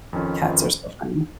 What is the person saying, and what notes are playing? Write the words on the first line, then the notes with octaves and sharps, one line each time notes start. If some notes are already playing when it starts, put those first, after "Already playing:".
Cats are so funny.
F2 D#3 C#4 F4
F2 D#3 C#4 F4